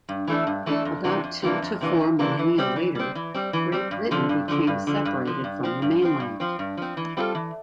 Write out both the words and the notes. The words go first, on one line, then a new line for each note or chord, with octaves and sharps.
About two to four millennia later, Great Britain became separated from the mainland.
G2
E3 A3 D4 A4
G2
E3 A3 D4 A4
F2
C3 E3 A#3 D4
F2
C3 E3 A#3 D4
F2
C3 E3 A#3 D4
F2
C3 E3 A#3 D4
E3
G3 C4
E3
G3 C4
E3
G3 C4
E3
G3 C4
G2
D3 F3
G2
D3 F3
G2
D3 F3
G2
D3 F3
G2
F3 C4
G2
F3 C4
G2
F3 C4
G2
F3 C4
E3
G3 C4 F4 A4
E3